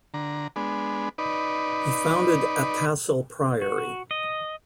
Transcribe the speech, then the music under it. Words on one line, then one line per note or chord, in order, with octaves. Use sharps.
He founded Athassel Priory.
D3 A#5
G#3 B3 D4
D#4 B4 D5
F#4
D#5